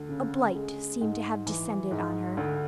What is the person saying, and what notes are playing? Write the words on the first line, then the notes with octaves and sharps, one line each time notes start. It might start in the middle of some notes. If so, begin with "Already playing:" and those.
A blight seemed to have descended on her.
Already playing: D2
C#3
G#3
G#2
E3
G#2
D2